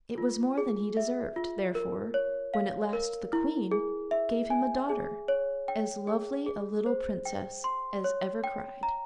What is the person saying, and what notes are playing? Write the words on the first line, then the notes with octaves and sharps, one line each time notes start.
It was more than he deserved, therefore, when, at last, the queen gave him a daughter--as lovely a little princess as ever cried.
F4
G#4
E5
F4
A#4
C#5
F5
A#4
E4
G#4
E5
G#5
G#4
C#5
G5
G#4
G#4
C5
G5
C6
C#5
G5
A#5